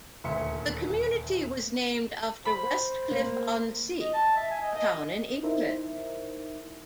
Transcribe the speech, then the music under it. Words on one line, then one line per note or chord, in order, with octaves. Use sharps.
The community was named after Westcliff-on-Sea, a town in England.
D#1 D2 E5 C6 C#7
C5 B5
A#3
D#5
A5
E5
G#5
D#5
D#5
D#4 E4 A#4 C5 E5